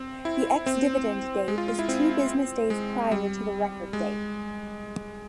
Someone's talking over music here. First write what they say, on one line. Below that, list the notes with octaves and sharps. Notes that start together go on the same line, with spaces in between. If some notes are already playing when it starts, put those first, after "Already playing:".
The ex-dividend date is two business days prior to the record date.
Already playing: C4
E4
C4
G#3
F4
F4
E4
C4
G#3
G3
G#3